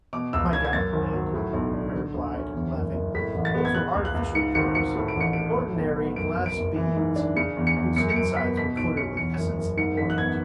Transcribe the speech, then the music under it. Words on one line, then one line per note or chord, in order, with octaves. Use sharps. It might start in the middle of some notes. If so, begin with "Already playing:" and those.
"My gallant Ned," I replied, laughing, "those were artificial pearls, ordinary glass beads whose insides were coated with Essence of Orient."
B2 D6
C#2 E6
C#4 G#6
G#6
F#2 A6
G#1
F#3
A2
B1
D4
D3
D2
C#4
E2
F#1
F#1
A2 B6
A1
A6
B3
G#6
C#3 F#6
C#2
F#6
C#2
G#2 C#7
G#1 C#7
G#1 C#7
A2
D7
A1 C#7
A3 D7
A2
B1
B3
F#2 D7
F#1
D7
F#1
E3
G#2
D4
C#3 C#7
E2
C#7
E2
F#2 C#7
C#7
F#1 D7
B3 B6
B2 B6
B1 D7
C#4 C#7
E2 C#7
F#1
F#1
G#2 C#7
A1 B6
F#6
B3 G#6